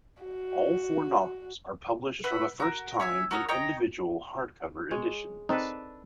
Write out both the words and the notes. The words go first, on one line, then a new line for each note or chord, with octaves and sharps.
All four novels are published for the first time in individual hardcover editions.
F#4
B4 E5 F#5 B5
F#4 A#4
C#5 E5 G#5
F#4 A#4 C#5 D#6
C#5 D#5 G5 A#5
G#3 C#5
C4 D4 D#4 A4 B4